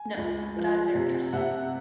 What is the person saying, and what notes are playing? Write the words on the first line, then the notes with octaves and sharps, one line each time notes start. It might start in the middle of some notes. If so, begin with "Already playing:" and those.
No, but I'm their trustee.
Already playing: G#5
C#2
F3
C3
C3 E5 F#5